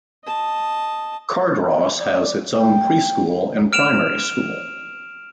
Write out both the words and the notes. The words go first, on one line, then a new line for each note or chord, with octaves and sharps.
Cardross has its own pre-school and primary school.
D#5 A5
D5
G5
F6 D7 E7 F7